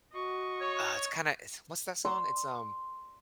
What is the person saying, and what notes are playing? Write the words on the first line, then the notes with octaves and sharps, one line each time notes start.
Uh, it's kinda it's what's that song? It's, um,
F#4 D#5 C#6
C#5
C6